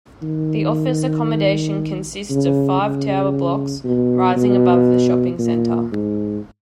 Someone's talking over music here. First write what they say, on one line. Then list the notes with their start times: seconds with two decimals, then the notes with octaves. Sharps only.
The office accommodation consists of five tower blocks rising above the shopping centre.
0.23 D#3
2.31 C#3
2.81 C#3
3.84 B2
4.36 B2
5.39 A#2
5.92 G#2